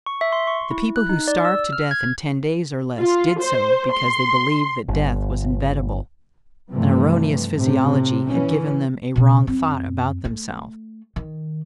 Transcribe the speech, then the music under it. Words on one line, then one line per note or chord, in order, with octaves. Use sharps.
The people who starved to death in ten days or less did so because they believed that death was inevitable; an erroneous physiology had given them a wrong thought about themselves.
C#6
E5
C6
C#6
E4
F#6
D#4
D5
E6
F6
G#6
F4
C5
C6
G1
G2 C3 E3 F3 G3 A3
A2 C3
E3 C#4
B2 D4
F#2 C4
A3
D#3